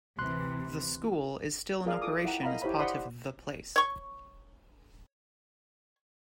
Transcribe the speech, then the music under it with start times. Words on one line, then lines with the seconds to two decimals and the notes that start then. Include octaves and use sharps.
The School is still in operation as part of The Place.
0.18 D2 C3 E3 C6 F#6
1.86 F4 G#4 A#4 D5 F5 D#6
2.02 F4 A4 D6 D#6
2.24 E4 E5 F#5 G5 A#5
2.43 A#4 D#5 F5 A#5 B5
2.62 E4 G4 C5 C#5 B5
2.79 C5 D5 F#5 B5 C6 D#6
3.76 C#5 C#6